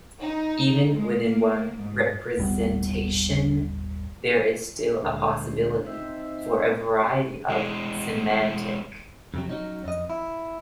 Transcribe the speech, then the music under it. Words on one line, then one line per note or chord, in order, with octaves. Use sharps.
Even within one representation, there is still a possibility for a variety of semantic.
D#4
G#3
A#3
G#2
D#1 G#1 G3 B3
D2 A#2 D3 G#3 D4 C5
C4 D#4 C5 E5
C4 F#4
E3 G#3
F2 C3 F#3
F#3 C#4 D#4
F2 D#5
E4